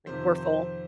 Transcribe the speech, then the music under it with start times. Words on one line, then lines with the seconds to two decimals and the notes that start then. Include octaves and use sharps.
Like, "We're full."
0.07 F2 C3 D#3 C5
0.38 C5